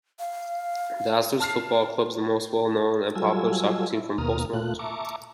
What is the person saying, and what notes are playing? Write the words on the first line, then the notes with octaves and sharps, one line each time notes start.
Dazzlers Football Club is the most well-known and popular soccer team from Bosmont.
F5
A5 F6 C7
F#3 G3 F4 A4 G#5 E6
E4
D#2 B2 A#3 A#5 D#6 F6
A#2 A3 F4 F#6
E5 A5 A#5 C#6 D6